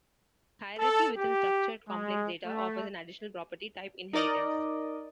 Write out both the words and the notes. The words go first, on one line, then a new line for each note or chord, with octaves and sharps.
Hierarchy within structured complex data offers an additional property, type inheritance.
A4
G4
G#3
A3
D#4 A#4 D5 D#5